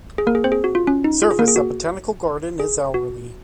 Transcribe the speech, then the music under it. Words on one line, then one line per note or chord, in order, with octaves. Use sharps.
Service at Botanical Garden is hourly.
G#4
A#3 A#4
G#4
C4 C5
G#4
F#4
F4
C#4
D#4
F4
G#4
A#3 A#4
G#4
F#4
G#4
F#4